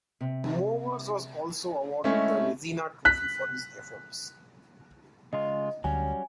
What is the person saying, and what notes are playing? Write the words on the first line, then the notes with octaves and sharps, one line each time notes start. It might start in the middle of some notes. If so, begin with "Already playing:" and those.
Mowers was also awarded the Vezina Trophy for his efforts.
C3
G#3 A3 C#4 E4 C5 D#5
F#6 B6
C#3 G#3 F4 D#5
D2 F#3 G3 C#4 G#5